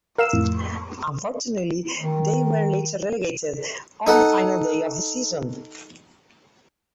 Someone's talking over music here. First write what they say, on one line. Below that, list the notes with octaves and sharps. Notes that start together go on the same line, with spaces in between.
Unfortunately they were later relegated on the final day of the season.
A#4 F5 E6 E7
F2 A2
D#3
D#4 A4 F#5